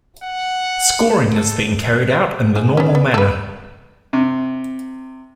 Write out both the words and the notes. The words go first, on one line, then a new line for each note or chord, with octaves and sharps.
Scoring is then carried out in the normal manner.
F#5
A4
G#4
B3 C#4
B3
A4 B4
C3